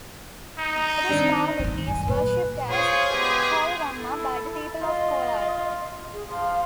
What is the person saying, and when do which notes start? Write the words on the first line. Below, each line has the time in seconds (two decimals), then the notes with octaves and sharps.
Goddess Parvathi is worshipped as Kolaramma by the people of Kolar.
0.58 D#4
1.09 D#3 C4 D4
1.60 D#3 F3
1.87 F#2 G#5
2.08 A#2 B4
2.69 F4 G#4 C5 C#5
3.11 G#3 B3 G4
3.96 E4 A4
4.81 F4 D#5
6.12 G#4
6.30 F3 F5